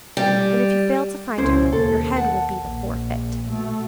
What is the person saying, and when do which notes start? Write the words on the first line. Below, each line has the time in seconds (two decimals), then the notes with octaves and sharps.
And if you fail to find her your head will be the forfeit.'
0.17 G3
1.38 C#2 B2 C#4 E4 C5
1.73 D#2 A4
2.16 F#5 A5
2.58 A#1
3.48 B2 A3